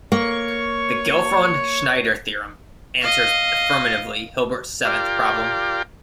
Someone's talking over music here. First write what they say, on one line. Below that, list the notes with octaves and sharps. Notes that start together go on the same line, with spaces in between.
The Gelfond-Schneider theorem answers affirmatively Hilbert's seventh problem.
A#3 C#5 C#6
D#5 F5
F4 G4 A#4 D5 F5 G5